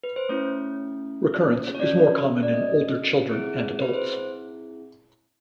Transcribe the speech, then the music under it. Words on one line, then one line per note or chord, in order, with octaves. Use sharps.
Recurrence is more common in older children and adults.
B4
C5
A3 C#4 E4 C#5
C#5
C#4 F#4 A4 D5
D5
D#5
C4 E4 G#4
B4
C5